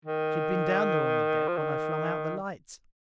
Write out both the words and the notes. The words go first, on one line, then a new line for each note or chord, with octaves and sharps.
She had been down there on the deck when I flung out the lights.
D#3
F3
D#3